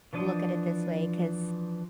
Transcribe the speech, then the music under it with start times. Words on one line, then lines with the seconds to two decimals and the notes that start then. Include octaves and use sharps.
look at it this way 'cause
0.13 E3 F3 D4 D#5